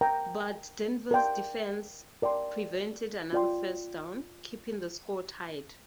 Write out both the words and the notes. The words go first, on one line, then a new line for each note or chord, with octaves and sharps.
But Denver's defense prevented another first down, keeping the score tied.
A#4 G5 A#5
A#4 D5 G5 C6
A#4 D5 G5 C6
F4 D5 G5 C6